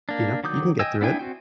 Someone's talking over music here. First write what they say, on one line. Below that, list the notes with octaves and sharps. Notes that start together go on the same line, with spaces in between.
you know, "You can get through it,"
A#3 D4
D#3 F#3 D6 D#6 G6
D#5 G5 G#5 E6
B3 D4 E4 G5 G#5
C4 F#4 G5